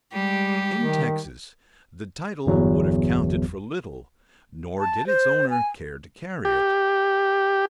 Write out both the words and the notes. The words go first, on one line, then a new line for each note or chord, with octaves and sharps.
In Texas the title would have counted for little; nor did its owner care to carry it.
G3 G#3 G4
D#3
G1 E2 F#3
A5
C5
G#5
G4